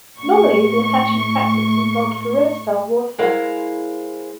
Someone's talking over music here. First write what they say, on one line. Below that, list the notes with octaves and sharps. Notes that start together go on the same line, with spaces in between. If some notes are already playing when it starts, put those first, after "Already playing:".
Normally, the Apaches' tactics involved guerrilla-style warfare.
A2 C#6
G#3 E4 A#4 C5 F5